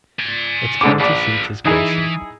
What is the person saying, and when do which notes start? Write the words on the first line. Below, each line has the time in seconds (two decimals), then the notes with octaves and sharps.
Its county seat is Grayson.
0.19 D5 G#5
0.81 G#2 D3 D6
1.00 A#1 A4 B4 D5
1.65 E3 D#4 E4 G#4